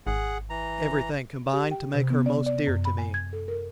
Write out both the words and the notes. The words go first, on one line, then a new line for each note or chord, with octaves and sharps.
Everything combined to make her most dear to me.
G#1 G#4 F#5
E3 A#5
G4
G5
C3
B3
D5
D5
F#2
B5
G#5
G#6
A4
A#4